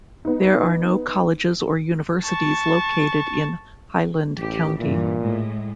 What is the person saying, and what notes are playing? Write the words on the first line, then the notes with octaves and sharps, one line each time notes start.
There are no colleges or universities located in Highland County.
B3 D#4
A5 C#6
A1 G4
G2 A#2 E3
A2 G#3